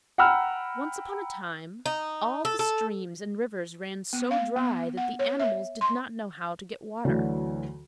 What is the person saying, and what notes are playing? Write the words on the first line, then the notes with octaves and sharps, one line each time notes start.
Once upon a time all the streams and rivers ran so dry that the animals did not know how to get water.
F#5 G5 A#5 B5 E6 F6
D#4
A4
A4
B3
F5
B3
F#5
C#5
E5
C6
D2 D3 E3 F#3